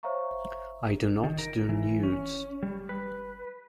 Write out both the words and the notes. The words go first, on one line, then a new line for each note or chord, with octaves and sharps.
I do not do nudes.
C5 C#5 E5 F5 A#5 C#6
D#3
A#4
E3
C#4
G3
B4